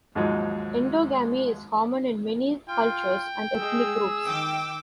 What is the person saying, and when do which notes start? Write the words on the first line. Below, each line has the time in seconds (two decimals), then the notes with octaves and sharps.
Endogamy is common in many cultures and ethnic groups.
0.15 D#2 G#2 F3 F#3 G#3 D#4
2.69 F4 G5
3.59 G#3 G#4 E6
4.26 D#3 G5 D6